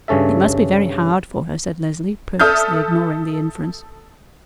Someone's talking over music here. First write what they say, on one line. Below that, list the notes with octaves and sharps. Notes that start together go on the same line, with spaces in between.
"It must be very hard for her," said Leslie, purposely ignoring the inference.
G2 C#3 C#4 A4 E5
A4 E5 D#6 F6 G6